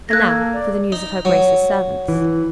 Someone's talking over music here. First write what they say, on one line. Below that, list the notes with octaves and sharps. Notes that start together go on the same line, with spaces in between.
"And now for the news of her Grace's servants."
A#3 A4 F#6 G#6 A#6
D5
D#4
F#3
E3